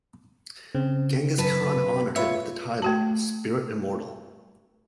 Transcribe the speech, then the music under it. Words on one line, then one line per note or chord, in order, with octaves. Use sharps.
Genghis Khan honoured him with the title Spirit Immortal.
C#3 C4
F#2 B4 A5
F4 B4 C#5 E5
A3 F#4 A5